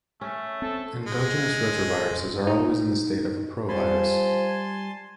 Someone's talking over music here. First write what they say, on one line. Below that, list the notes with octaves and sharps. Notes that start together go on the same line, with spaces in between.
Endogenous retroviruses are always in the state of a provirus.
A3 C#4
C4 A4
G#3
D#4
F3 G3 G#5 A5 B5 C6